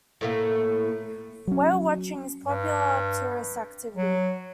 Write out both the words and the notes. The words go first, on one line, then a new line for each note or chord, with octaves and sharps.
Whale watching is a popular tourist activity.
A2 A3 A#3
F#3 C#4
G2
F#3